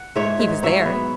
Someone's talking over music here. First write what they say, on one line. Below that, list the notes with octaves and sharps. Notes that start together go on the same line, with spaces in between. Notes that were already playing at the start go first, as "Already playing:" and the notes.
"He was there."
Already playing: F#5
G#2 C#5 E5
G#2
F#3 C#5 E5
B3